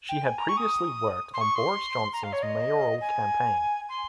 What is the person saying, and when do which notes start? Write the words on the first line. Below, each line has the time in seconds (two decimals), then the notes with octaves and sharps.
She had previously worked on Boris Johnson's mayoral campaign.
0.09 G5
0.23 G#5
0.38 A#5
0.48 C#6
0.57 D#6
1.33 C6
1.41 C#6
1.55 C6
2.13 A#5
2.23 F5
2.32 C#5
2.42 D#5
3.01 G#5
3.89 C6